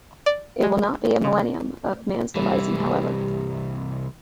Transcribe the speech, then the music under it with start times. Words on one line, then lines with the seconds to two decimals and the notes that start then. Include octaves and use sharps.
It will not be a millennium of man's devising, however.
0.26 D5
0.63 G#3
1.24 C#3
2.36 C2 E3 G3